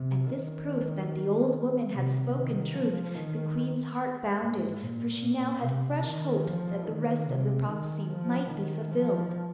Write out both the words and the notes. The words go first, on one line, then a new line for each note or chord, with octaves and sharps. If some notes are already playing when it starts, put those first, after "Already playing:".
At this proof that the old woman had spoken truth, the queen's heart bounded, for she now had fresh hopes that the rest of the prophecy might be fulfilled.
Already playing: C3
D#3
C3
D#3
F3
D#3
G#2
A#2
C3
D#3
F3
D#3
C3
D#3
F3
D#3
F3